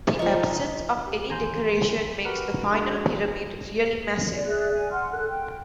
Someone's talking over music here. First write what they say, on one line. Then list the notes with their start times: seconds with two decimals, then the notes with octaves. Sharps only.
The absence of any decoration makes the final pyramid really massive.
0.19 F3 D#4 C#6
1.07 G4
1.28 A1 D#2 G#5 A#5 C6 G6
2.25 F#4 G4 A#4 B4 F#5
2.72 G#3 D4 F#4
4.31 D5
4.45 G#4 D5 E5 F#6
4.72 G#4 G#5
4.91 F#5 C6 F6
5.11 A4 A#4 F#6
5.28 G5